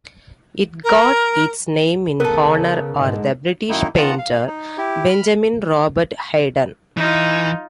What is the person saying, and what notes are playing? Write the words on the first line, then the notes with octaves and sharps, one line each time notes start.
It got its name in honor or the British painter, Benjamin Robert Haydon.
A#4
C#3 B3 A4 A#4
G#2 D3 G#3
F#2 D#3 A#3 D#4 E4
D#3 B3 F4 F#5 A5 A#5
F5
D#4
E4 G4
B5 F6
E3 D#4 F4